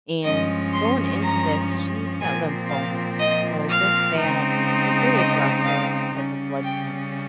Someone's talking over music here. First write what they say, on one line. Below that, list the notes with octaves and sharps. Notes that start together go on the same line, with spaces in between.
And going into this, she's got lymphoma. So, with that, it's a very aggressive type of blood cancer
G2 F3 G#3 C#4 D#5
C6
A#5
A#2 F3 C4 G#5
F5
D#5
F5
C#3 G#3 C4 D#4
D#5
F5
C#3 G3 C#4
G5